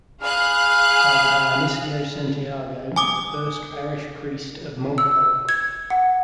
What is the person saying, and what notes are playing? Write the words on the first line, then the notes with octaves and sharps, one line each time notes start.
Father Dionisio Santiago the first parish priest of mogpog.
G#4 F5 B5 F6 F#6
G#5 D6 D#6
E6
G#6
F#5